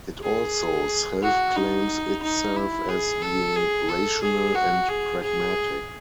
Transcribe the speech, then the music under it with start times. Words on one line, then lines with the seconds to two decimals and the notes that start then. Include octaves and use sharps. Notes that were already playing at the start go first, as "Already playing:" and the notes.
It also self-claims itself as being "rational and pragmatic".
0.23 G#4
1.23 F#4
1.56 D#4
2.23 D#4
2.56 E4
2.89 G#4
3.22 A4
3.56 G#4
3.89 A4
4.22 G#4
4.55 F#4
4.89 G#4
5.22 G#4